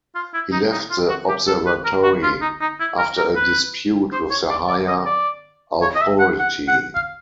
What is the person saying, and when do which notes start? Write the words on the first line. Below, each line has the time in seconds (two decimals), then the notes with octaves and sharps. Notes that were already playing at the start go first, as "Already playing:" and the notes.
He left the observatory after a dispute with the higher authority.
0.15 F4
0.34 E4
0.52 D#4
0.72 D#4
0.90 F4
1.09 F#4
1.28 G4
1.48 A4
1.66 B4
1.85 A#4
2.03 F#4
2.23 F4
2.41 D#4
2.61 D#4
2.80 E4
2.98 A#4
3.17 A#4
3.36 B4
4.13 C5
4.30 C#5
4.50 D5
4.69 D5
4.88 D#5
5.06 D5
5.82 C#5
5.95 D#5
6.01 E5
6.20 F#5
6.40 F#5
6.68 F#5
6.95 F5